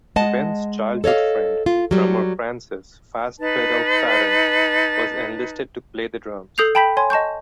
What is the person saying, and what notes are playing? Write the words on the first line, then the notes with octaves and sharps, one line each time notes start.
Ben's childhood friend, drummer Frances "Fast Pedal" Farran was enlisted to play the drums.
G#3 D#5 F#5 A5
A4 C#5 D#5 F5
F4
F#3 G3
D#4 B4 A5
A4 D#6 G6 C7 F7
G5 A5 B5 G6 B6
C#5 G#5 C6
D#5 A5 C#6 G6